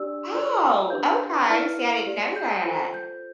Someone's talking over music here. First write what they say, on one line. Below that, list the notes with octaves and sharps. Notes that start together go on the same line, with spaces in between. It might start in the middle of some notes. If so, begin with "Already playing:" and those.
Oh, okay, see, I didn't know that.
Already playing: D4 G4 D5 E6
F4 A4 D5 E6
D4 G4 B4 G6
G6
E4 B4 D5 F6
G4 D5
G6
F4 A4 C5
G6